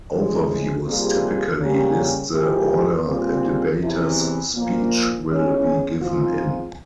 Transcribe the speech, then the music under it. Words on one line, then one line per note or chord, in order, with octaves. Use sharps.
Overviews typically list the order a debater's speech will be given in.
F2 C#3 E3 G#3
C3 G3 A#3 F4 G#4
C#3 G3 A#3 C#4 G4
G#2 F3 G#3 E4 G4
A#2 G3 C4 F4 G#4
E2 C3 E3
A#2 F3 A#3
E2 E3 G#3 C#4
G#2 F3 C4 F4